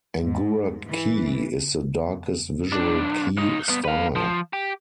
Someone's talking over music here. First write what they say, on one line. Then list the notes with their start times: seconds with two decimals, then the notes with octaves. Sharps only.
Angura kei is the darkest visual kei style.
0.24 G#2
0.87 E3
2.72 B1 D4
3.37 C#3 D#4
3.68 G2 B3
3.85 B4 F5
4.16 F3
4.53 G4